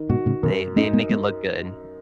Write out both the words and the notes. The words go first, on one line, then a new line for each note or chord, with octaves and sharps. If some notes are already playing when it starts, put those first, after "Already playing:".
They they make it look good.
Already playing: D#3
G#2 B2 F#4
A2 C#3
F#2 B2 D#3
A3 C#4 D#4
G#3 B3
G#3 B3